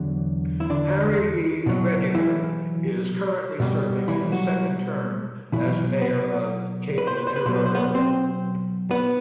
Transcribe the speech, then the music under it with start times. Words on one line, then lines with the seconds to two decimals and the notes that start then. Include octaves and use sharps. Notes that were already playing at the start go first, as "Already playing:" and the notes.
Harry E. Rediger is currently serving his second term as Mayor of Cape Girardeau.
Already playing: E2 D3 F#3
0.60 E4
0.70 D3 D4
1.66 B2 F#3
2.15 E3 E4
3.60 B2 G3
4.08 E3 E4
4.32 F#3 F#4
5.52 B2 E3 F#3 E4
6.01 B3 B4
6.98 B4
7.07 C5
7.17 B4
7.27 C5
7.36 B4
7.46 B2 F#3 C5
7.56 B4
7.66 C5
7.75 B3 B4
7.94 C4 C5
8.91 B3 B4